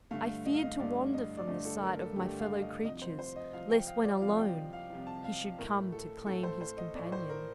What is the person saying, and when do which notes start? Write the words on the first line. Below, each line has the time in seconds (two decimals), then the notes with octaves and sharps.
I feared to wander from the sight of my fellow creatures lest when alone he should come to claim his companion.
0.11 G2 D3 A3 F5
0.45 D#5
0.54 F5
0.63 D#5
0.79 G2 D3 A3 D5
1.14 D#5
1.37 D5
1.48 G2 D3 A3 D#5
1.65 A4
1.82 A#4
1.99 A4
2.16 G2 D3 A3 G4
2.39 F5
2.62 D#5
2.84 C2 C3 F3 D#5
3.02 C5
3.19 C5
3.36 D#5
3.53 C2 C3 F3 F5
3.70 G5
3.87 F5
4.04 D5
4.21 C2 C3 F3 F5
4.39 G5
4.73 F5
4.90 C2 C3 F3
5.07 A5
5.24 F5
5.58 A2 A3 A#4
5.92 A4
6.26 A2 A3 A4
6.43 C5
6.61 C5
6.77 D#5
6.95 A2 A3 D5
7.12 C5
7.29 A#4